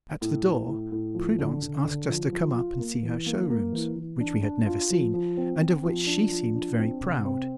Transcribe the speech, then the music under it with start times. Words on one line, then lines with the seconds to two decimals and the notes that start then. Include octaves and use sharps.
At the door, Prudence asked us to come up and see her showrooms, which we had never seen, and of which she seemed very proud.
0.21 A2
0.44 A2
0.68 A2
0.92 A2
1.15 F3
1.39 D3
1.62 D3
1.85 D3
2.08 F3
2.32 F3
2.56 F4
2.79 A#3
3.03 E3
3.26 A#3
3.50 A#3
3.72 E3
3.96 E3
4.20 D4
4.43 D4
4.66 F4
4.90 F3
5.14 F3
5.37 C4
5.61 C4
5.84 F3
6.07 D4
6.30 F3
6.55 D4
6.78 C4
7.02 C3
7.25 C4